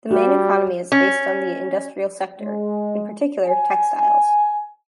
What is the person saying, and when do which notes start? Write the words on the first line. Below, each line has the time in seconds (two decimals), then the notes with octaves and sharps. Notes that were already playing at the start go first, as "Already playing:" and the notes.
The main economy is based on the industrial sector, in particular textiles.
0.11 G3 F#4
0.92 C#4
2.41 G#3
3.46 G#5